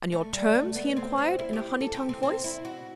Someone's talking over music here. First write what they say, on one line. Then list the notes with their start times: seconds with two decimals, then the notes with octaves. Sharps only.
'And your terms?' he inquired, in a honey-tongued voice.
0.12 A3
0.33 G3
0.55 A3
0.75 B3
0.97 C4
1.18 C4
1.39 E4
1.53 G4
1.81 A4
1.94 G4
2.09 C4
2.23 C4
2.44 E4
2.65 F#4